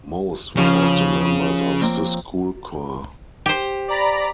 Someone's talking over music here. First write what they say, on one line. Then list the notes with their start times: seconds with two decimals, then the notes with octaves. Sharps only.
Most were also members of the school choir.
0.57 C#3 F3 C#4
1.81 A#3 C4
3.46 G4 C5
3.88 D5 A#5 B5